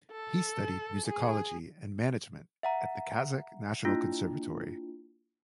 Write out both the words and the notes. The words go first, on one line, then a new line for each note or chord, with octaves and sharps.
He studied musicology and management in the Kazakh National Conservatory.
A4
G#4
E5 F#5 A#5
A#3 D4 E4 F4